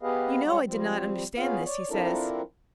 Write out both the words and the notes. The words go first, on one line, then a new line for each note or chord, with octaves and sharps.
"You know I did not understand this," he says.
B3 G4 G#4 B4 D#5 F5
G3 G#3 C#4 C#5 F#5
F3 G3 C4
B3 C#4 F4 G#4 F5
C#5 D5
F3 C4 D4 E4 A4 A#4